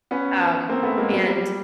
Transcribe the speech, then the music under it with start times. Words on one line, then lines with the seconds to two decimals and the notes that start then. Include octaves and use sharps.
um and
0.11 B3 C#4
0.69 A#3 C4
0.83 A3 B3
0.97 G#3 A#3
1.12 F#3
1.27 G3